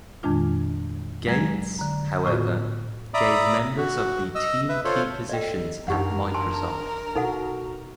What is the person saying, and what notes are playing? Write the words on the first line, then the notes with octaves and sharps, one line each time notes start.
Gates, however, gave members of the team key positions at Microsoft.
F2 A#2 D#3 G#3 D4 F4
F#3 G#3 A#5 G#6
D3 A#5
A2 B3 F4 F#4 D#6 E6
D5 E5 A#5 B5 D6 D#6
F#4
D#5 E6
B4 E5
F4 A4 C5 C#5
A4 D5 D#5 G5
F#2 E3 D4 D#4 G4 A#4 F#5
G#5 A5 C6
B2 D#4 F#4 A4 F#5